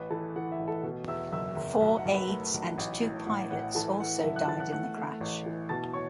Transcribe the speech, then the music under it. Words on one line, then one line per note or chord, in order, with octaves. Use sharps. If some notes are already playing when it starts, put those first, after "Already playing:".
Four aides and two pilots also died in the crash.
Already playing: A1 B4 B5
E3 A4 A5
E3 F#5
E5
A1
A4 A5
B2
E2 E5 E6
F#1 E5 E6
F#1 E5
B1 E5
F#5
B1
B4 B5
A3
B1
A1
A2
A2 F#5
A2 F#5
E3 A4 A5
E3 F#5
F#1 E5
F#5 F#6
E3 A5 A6
F#5 F#6
A3 F#5 F#6
A3
A1
E3
B2 A5 A6
C#5 C#6